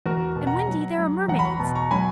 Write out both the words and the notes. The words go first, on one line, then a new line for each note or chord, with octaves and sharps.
"And, Wendy, there are mermaids."
E2 F#4 A#4
B2
F#5 A#5
F#3
F#3
E2 F#5 A#5
B5
A#5 C#6
B2
A#5 C#6
F#3 G#5 B5